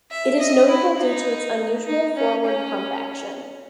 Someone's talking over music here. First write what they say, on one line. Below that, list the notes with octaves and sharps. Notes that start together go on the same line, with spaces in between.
It is notable due to its unusual forward pump action.
E5
D#5
E4
D#4
D#4
C#4
C#4